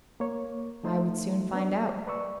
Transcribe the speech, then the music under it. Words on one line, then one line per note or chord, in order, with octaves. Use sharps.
I would soon find out.
A#3 C#5
F3 A3 D#4 C5 E5
B3 D4
G3
B4 D5 C#6 E6